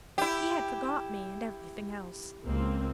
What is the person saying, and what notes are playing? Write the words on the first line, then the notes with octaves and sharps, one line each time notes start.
He had forgot me and everything else.
E4 G4
C#2 A#3 C4